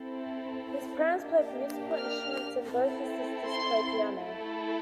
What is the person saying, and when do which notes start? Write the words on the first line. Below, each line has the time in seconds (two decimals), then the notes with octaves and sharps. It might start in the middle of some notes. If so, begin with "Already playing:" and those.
His parents played musical instruments and both his sisters played piano.
Already playing: C4 E4 A4
1.20 A#3 D4 G4
1.96 F6
2.71 C4 E4 A4
3.46 C6
4.21 A3 E4 A4